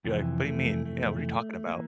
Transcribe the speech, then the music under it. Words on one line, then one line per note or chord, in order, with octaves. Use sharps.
You're like, "What do you mean? Yeah, what are you talking about?"
F2 C3 E3
A3
A3
E3 A#3